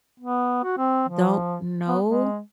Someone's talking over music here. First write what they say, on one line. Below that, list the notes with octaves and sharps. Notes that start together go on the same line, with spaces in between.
don't know?
B3
F#4
C4
F3
B3
G#3